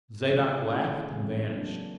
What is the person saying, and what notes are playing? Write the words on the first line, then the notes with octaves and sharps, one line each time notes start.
Zadok laughed and vanished.
F3 A3 C#4 F#4
A3 C#4 E4 G#4
C#3 E3 G#3 C4
F#3 A#3 D4